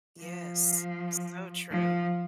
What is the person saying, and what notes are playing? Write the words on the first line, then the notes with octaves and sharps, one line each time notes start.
Yes, so true.
F3
F3